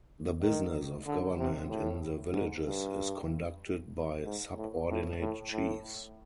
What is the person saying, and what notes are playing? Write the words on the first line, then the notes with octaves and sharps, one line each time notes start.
The business of government in the villages is conducted by subordinate chiefs.
D#3
D3
C3
A2
G#2
G2
G#2
A2
A2
A2
A2